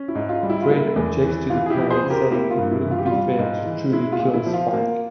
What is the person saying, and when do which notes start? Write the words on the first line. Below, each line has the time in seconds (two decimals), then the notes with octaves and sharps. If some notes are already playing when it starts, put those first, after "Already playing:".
Fred objects to the plan, saying it wouldn't be fair to truly kill Spike.
Already playing: C#4
0.08 E4
0.15 G#2
0.29 F4
0.43 G3
0.50 E4
0.62 F4
0.70 A#3 E4
0.96 E2
1.24 E3
1.50 E3 F4
1.66 G#4
1.70 E4 G4
1.77 F2
1.90 G#4 C5
2.04 C#3
2.10 G4 A#4
2.31 A#3 E4 G4
2.51 F4
2.58 G2
2.71 E4
2.84 E3
2.91 F4
2.99 G4
3.06 F4
3.11 G3
3.39 G#2
3.66 E3
3.92 G#3 E4
4.12 F4
4.20 A#2
4.33 E4
4.46 F3
4.54 F4
4.73 A#3